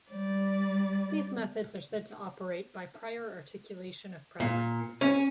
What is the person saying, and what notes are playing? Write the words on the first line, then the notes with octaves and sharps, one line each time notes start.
These methods are said to operate by prior articulation of preferences.
G3 D5
A#2
C#4